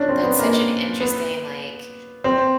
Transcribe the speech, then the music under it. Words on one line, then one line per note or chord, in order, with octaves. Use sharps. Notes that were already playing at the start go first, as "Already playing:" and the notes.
that's such an interesting, like
Already playing: C#4 D4
C4
B3
A#3
B3
C4